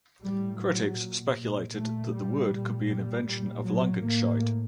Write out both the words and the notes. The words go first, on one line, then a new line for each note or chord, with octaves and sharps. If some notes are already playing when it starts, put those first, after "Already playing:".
Critics speculated that the word could be an invention of Langenscheidt.
A2 G3
F#3
A#2
A#2 A3
G3
A#2
G3
A#2
F#3
A2 A#3